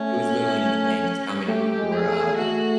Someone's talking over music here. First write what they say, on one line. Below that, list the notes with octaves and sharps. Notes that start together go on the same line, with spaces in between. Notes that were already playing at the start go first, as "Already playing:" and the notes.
it was literally insane just how many people were, um,
Already playing: A3 C#4
A3 G4
G#3
G#4
A3
A3 F#4